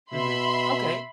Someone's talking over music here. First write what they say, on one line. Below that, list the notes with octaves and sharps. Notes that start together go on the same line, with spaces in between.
Mhm, okay.
B2 E5 B5 C6